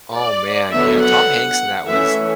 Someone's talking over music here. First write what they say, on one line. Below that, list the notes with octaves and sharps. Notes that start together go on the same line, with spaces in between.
Oh, man, yeah, Tom Hanks in that was
D5
D3 F#3 B3 E5
F#5
E3 A3 C#4 E5